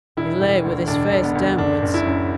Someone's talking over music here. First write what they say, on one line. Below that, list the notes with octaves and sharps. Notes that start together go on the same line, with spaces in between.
He lay with his face downwards.
E1 E4
E1
D2
E1 D4
E1
B3
D2
F#1 D4
F#1
E4
F#2